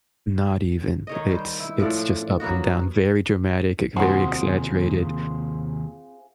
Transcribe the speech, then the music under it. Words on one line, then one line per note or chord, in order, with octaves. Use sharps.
Not even. It's it's just up and down, very dramatic, e very exaggerated.
D#3 C#5 D#5
G3 C5
E4
A2 F3 D5
D4
F#3 A#3 B3 F#4
D#2 C3 C4 F4 F#4 G#4 C5